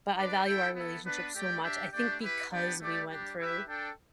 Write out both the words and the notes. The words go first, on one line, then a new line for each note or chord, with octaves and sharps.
But I value our relationship so much, I think because we went through
D4 B4 D5
E4 A4 G5
B3 E4 A4
B3 D4 B4
A3 G4 D5 G5
D4 G4 E5 G5
A3 D4 G4 D5 G5
E4 G4 B4
B3 D4 G4 D5 G5
A3 G4 D5
G3 D4 G4
E4 G4 B4 E5
D4 A4 G5